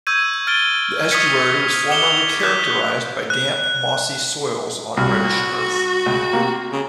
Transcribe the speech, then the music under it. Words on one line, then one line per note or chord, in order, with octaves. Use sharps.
The estuary was formerly characterised by damp mossy soils on reddish earth.
C#6 E6 G6 G#6 D#7
F6 A6 D7 G7
C#6 D#6 F6 G#6 B6 C#7
D6 C#7 F7 G7
D6 F#6 G6 B6
F#6
C2 F#4 F6
C#2
C3 A#3
C#3